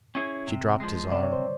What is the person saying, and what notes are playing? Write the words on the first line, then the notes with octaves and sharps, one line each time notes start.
She dropped his arm.
C#4 E4 G#4 C#5
C3
F3 G#3
C3 D5
C#5
C5